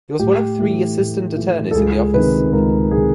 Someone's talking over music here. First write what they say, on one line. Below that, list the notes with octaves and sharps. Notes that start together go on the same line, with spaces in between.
He was one of three assistant attorneys in the office.
A2 G4
E3 A3
A2
E3 A3
A4
C#2 G#4
C3 D#3 B4
C#2 A#4
C3 D#3 G#4